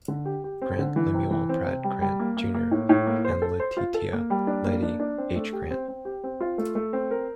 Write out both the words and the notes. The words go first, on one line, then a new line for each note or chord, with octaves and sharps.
Grant, Lemuel Pratt Grant, Junior and Letitia "Lettie" H. Grant.
D3
G4
G4
C4
D3
E3
C3
E3
C4
C3
G3
G3
A#3
A#3
A#3
A2
A2
A#3
C5
A4
C5
F4
A4
A#3
G3
D4
A#3
D4
D4
C4
A3
G4
C4
C4
G4
C4
F4
A3
A3
C4
A#4